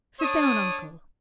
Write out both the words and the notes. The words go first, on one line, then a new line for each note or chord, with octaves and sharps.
Sit down, uncle.
D4 C#5 D#6